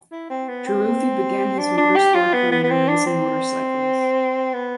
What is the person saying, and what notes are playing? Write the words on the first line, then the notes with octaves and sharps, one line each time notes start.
Taruffi began his motorsport career racing motorcycles.
E4
C4
B3
C4
D4
D4
G4
F4
B3
B3
B3
C4
D4
C4
B3